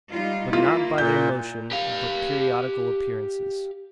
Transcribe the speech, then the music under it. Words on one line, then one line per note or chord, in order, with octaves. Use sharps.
But not by their Motion, but periodical Appearances.
G3 D#4 F4
A#3 E4 F4
A#2 G6
G4 F5